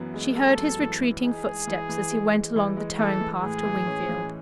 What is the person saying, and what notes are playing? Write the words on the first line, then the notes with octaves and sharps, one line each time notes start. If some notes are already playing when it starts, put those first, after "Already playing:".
She heard his retreating footsteps as he went along the towing-path to Wingfield.
Already playing: F#2 E3 B3
G#3
G#3 A4
F#2
E3
E3
D#4 G#4
G#3
E3
E3
G#3
G#3
E3
G#3
E3 A4
E3
A2 G#4
E3
C#4
E3